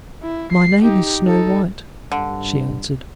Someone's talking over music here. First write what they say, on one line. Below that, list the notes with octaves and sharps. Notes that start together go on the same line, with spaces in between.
"My name is Snow-white," she answered.
E4
C7
D#4 G4
D#4 A4
G2 D3